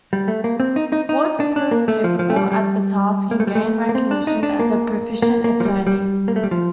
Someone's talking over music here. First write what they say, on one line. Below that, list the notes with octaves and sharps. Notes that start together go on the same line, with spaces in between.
Woods proved capable at the task and gained recognition as a proficient attorney.
G3
A3
A#3
C4
D#4
D#4
D#4
D4
D4
A#3
A3
F3
F3
A3
G3
G3
A#3
A3
G3
A3
A#3
C4
D4
D#4
D4
A#3
A#3
A#3
F3
G3
G3
A#3
A3
G3
F3